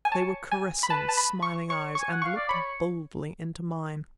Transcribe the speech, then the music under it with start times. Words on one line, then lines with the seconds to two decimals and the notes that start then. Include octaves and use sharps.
They were caressing, smiling eyes, and looked boldly into mine.
0.05 G#5
0.12 C#5 A5
0.51 G#5
0.83 B5
0.90 B4 A5
1.09 A5
1.17 B5
1.42 C#6
1.69 C#5 C#6
1.95 G#5 C#6
2.11 F#5
2.22 F5 C#6
2.36 D5
2.49 C#5 B5